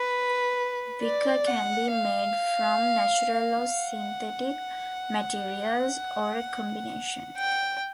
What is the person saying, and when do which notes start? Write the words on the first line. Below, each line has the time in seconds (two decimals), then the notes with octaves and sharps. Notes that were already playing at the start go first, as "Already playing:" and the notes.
Wicker can be made from natural or synthetic materials, or a combination.
Already playing: B4
1.02 D5
1.47 F#5
1.92 F5
3.74 F#5
7.37 G5